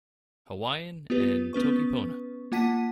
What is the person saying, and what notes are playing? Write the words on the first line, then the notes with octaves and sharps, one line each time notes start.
Hawaiian and Toki Pona.
B3 F4 G4 B4
B3 C#4 B4 C#6
A#3 F4 F#5 A5 B6 D#7